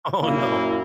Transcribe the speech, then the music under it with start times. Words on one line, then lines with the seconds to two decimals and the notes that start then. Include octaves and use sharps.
Oh, no.
0.23 F#2 A#2 A#3 E4